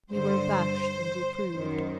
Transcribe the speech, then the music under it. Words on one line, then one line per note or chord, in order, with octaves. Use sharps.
We were abashed and reproved.
G2 D3 C5
F#2 D#3